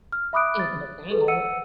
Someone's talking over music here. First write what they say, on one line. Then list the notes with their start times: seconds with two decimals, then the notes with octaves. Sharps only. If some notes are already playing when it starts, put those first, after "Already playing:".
out and about.
0.12 F6
0.33 E5 B5 D6 D#6 F#6 D7
0.59 A6
1.11 G#4 A4 B4
1.28 F#5 E6 C#7 D#7